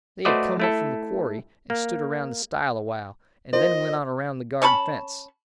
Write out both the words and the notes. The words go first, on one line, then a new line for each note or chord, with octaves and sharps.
They had come up from the quarry and stood around the stile a while, and then went on around the garden fence.
A3 F#4 B4 C5 D5 D#5
A3 E4 A4
A#3
F4 A#4 C5 D#5
C#4 C#5 A5 B5